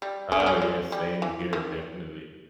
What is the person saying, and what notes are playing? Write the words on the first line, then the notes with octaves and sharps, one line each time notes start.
Oh, yeah, same here, definitely.
G3
C#4
B3
C#4
G#3
G3
E3
D#3